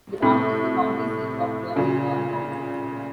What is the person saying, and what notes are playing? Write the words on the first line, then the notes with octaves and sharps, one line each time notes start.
The town is the county seat of Vermillion County.
A2 C3
A#2 C#3